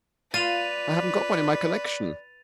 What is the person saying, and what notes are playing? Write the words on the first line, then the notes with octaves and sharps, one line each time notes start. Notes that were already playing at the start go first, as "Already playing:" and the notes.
I haven't got one in my collection.'
F4 B4 D5 A6 D#7 F7